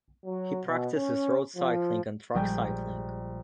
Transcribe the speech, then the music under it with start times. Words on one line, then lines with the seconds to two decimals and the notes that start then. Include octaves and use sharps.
He practices road cycling and track cycling.
0.25 F#3
0.65 B2
0.96 C#4
1.56 F3
2.35 A#1 G3 G#3 G5 G#5